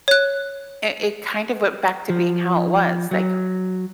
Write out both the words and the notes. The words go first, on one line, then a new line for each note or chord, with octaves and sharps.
it it kind of went back to being how it was, like,
C#5 F#6
F3
F#3